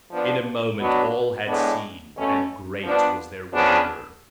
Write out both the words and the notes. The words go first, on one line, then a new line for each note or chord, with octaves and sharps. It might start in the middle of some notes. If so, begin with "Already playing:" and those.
In a moment all had seen, and great was their wonder.
F3 B3 D4
B2 F#3 B3 D4
A2 G#3 B3 D4
B2 A3 C#4
F3 B3 D4
C#3 F3 B3 D4